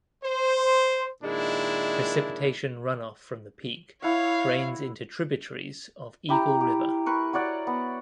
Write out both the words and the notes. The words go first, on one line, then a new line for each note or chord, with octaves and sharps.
Precipitation runoff from the peak drains into tributaries of Eagle River.
C5
A#2 D#3 G#3 D4 E4
E4 C#5 F5 F#5
E4 G4 A#5
G4
A#4 B4 C#6
F#4 C#5 D5 F#5
B3